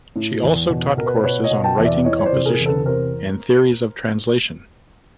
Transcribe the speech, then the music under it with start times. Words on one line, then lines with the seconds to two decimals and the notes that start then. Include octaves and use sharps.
She also taught courses on writing composition and theories of translation.
0.16 A2
0.43 E2
0.70 B2
0.97 B2 A#4
1.06 B4
1.15 C5
1.24 B2 B4 C#5
1.43 C#5 D#5
1.51 B2
1.64 G5 A5
1.78 E2
1.84 D5 E5
2.04 E3 C#5 D#5
2.19 C#5
2.25 C5 D5
2.32 C3
2.45 G#4 A#4
2.59 E2
2.66 A4 B4
2.86 C3 A#4 C5